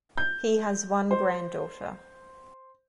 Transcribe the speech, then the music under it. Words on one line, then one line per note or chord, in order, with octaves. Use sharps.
He has one granddaughter.
G6
C5